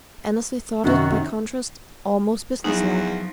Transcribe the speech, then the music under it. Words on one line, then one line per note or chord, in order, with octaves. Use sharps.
Annesley thought it, by contrast, almost businesslike.
F#2 C3 D#3 F#4
E2 F3 F#3 D#4